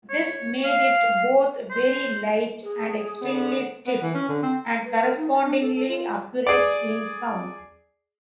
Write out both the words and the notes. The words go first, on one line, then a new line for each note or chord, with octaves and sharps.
This made it both very light and extremely stiff, and correspondingly accurate in sound.
C#5
F5
C5
G#4
D3 B3
B3
E3
C#4
D3
C4
B4
A#4
D#4
A5
D4
A4
A4
F4
G#4 D5